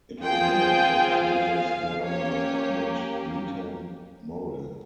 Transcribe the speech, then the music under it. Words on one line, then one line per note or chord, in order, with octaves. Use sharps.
It was named for Kansas governor Edmund Needham Morrill.
C4 F4 G#4 G5
F5
A#3 C#4 G4 C#5